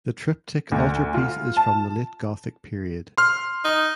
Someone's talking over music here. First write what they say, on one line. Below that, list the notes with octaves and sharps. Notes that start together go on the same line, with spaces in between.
The triptych altarpiece is from the Late Gothic period.
D2
F4
A5
C6 F6
D#4